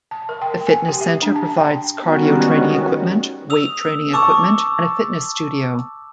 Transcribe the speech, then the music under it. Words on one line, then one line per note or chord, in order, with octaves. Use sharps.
The fitness centre provides cardio training equipment, weight training equipment, and a fitness studio.
A5
A#4
G5
G#5
G4
E5
D4
A5
G5
D#3 G3 G#3 B3 C#4 F#4
D#6 E6 F7
A5 C#6 D6 E6